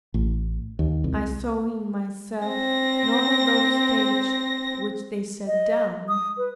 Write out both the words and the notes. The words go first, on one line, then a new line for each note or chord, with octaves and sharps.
I saw in myself none of those states which they set down.
A1
D#2
C2
C4 A#6
D#5
D#6
B4